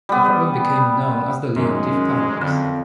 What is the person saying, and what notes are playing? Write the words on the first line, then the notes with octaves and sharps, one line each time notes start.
This problem became known as the Leontief paradox.
G3 B3
F#2 D#3 G#3
C#4
F2 D3 C4 B5